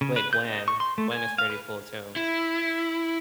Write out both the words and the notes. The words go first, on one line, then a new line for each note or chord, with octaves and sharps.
with Gwen. Gwen is pretty cool too.
C#3
B4
G6
D#5
C#6
C6
A3
G#5
F5
B4
E4